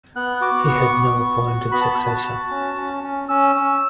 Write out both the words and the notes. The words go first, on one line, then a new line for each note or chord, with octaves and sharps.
He had no appointed successor.
B3 F#6
F#4 D6
B3 C#6
B3
B3
F#4
B3 B5
A5
B5
F#4
A5
F#4
C#4
C#4
C#4
C#4 E6
C#4